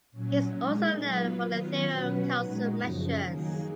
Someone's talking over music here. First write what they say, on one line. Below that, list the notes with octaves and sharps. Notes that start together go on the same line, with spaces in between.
He is also known for the theory of Carleson measures.
A#2 F#3 C#4
A#2 G#3 D#4
F#3 B3 F4 B4
D#3 F#3 B3 F4
B2 F#3 C#4 F#4 B4
A#2 G#3 D#4 F#4
F#2 C#3 F3
D#3 F#3 A#3 D#4 G#4